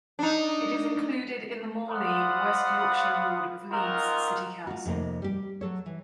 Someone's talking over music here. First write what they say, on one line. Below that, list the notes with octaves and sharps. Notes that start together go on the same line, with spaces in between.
It is included in the Morley, West Yorkshire ward of Leeds City Council.
D4 D#4
C5 D5 F5 F#5 B5 D#6
C4 D#4 F4 F#4 A#4
F4 F#4
F2 C3 A#3 D#4
G3 G4
F#3 A4 C#5
E3